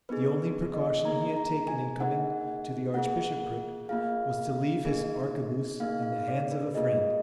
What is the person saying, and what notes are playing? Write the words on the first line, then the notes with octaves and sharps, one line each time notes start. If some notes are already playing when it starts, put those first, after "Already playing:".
The only precaution he had taken in coming to the archbishopric was to leave his arquebuse in the hands of a friend.
B3 D#4 G#4 B4
D#5
A#3 D#4 G#4 A#5
A#5
G#5
A#3 D#4 G#4 F#5
A#3 F4 G#4 F#5
A#3 F4 G#4 F5
A#3 D#4 G#4
A#3 D#4 G#4 F5
F5
D5
B4
A#3 F4 G#4 D#5